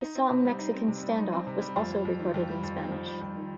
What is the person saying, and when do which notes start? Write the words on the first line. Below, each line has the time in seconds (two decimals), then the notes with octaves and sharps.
The song "Mexican Standoff" was also recorded in Spanish.
0.01 D#4
0.15 C4
0.31 C3
0.45 G3
0.59 D#4
0.74 C4
0.88 C3
1.03 G3
1.17 D#4
1.32 C4
1.47 C3
1.61 G3
1.76 F2
1.91 G3
2.05 F2
2.20 D#3
2.34 F2
2.49 G3
2.64 F2
2.77 D#3
2.92 F2
3.07 G3
3.21 F2
3.36 D#3